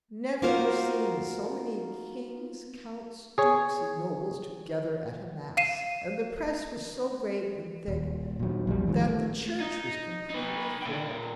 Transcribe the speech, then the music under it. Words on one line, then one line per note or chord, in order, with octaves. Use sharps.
Never were seen so many kings, counts, dukes, and nobles together at a Mass, and the press was so great and thick that the church was completely filled.
A#3 D#4 F4 F#4 A#4 C5
G#4 C#5
F5 C7 D#7 E7
D#1
A#2 F#3
A#1 E2 E3 G3
A1 D#3 F3 G#3
A3
D#4
D#4 B4
A#2 G5